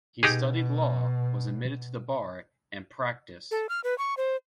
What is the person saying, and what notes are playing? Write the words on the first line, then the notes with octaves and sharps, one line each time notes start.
He studied law, was admitted to the bar, and practiced.
B2 D#4 G4 G#4
A4
F6
B4
C#6
C5